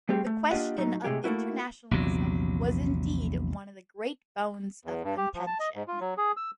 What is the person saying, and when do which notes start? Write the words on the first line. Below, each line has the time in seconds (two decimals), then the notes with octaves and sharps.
The question of internationalism was indeed one of the great bones of contention.
0.09 G3 A3 C4 G4 G#4
0.26 A3
0.51 A#3 D4 F4 G4 D#5 F#5
0.78 A2 F#3 D#4
1.04 A2 C3 G#3 G4
1.24 A3 A#3 E4 F#4
1.91 A#1 E2 C3 F#3
4.85 E2
5.04 G2
5.18 G4
5.34 F3
5.47 A5
5.60 D#5
5.75 G#2
5.88 F4
6.01 F#3
6.17 G#4
6.37 E6